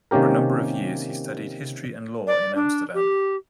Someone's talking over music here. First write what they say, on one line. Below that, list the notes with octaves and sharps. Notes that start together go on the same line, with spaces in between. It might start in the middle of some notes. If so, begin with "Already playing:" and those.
For a number of years he studied History and Law in Amsterdam.
C3 D#3 A#3 C#4 G4 A#4
D5
D4
G4